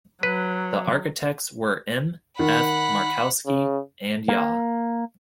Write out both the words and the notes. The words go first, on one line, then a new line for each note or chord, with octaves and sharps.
The architects were M. F. Markovsky and Ya.
F#3 B4
D#3 F#5 B5
C#3
A#3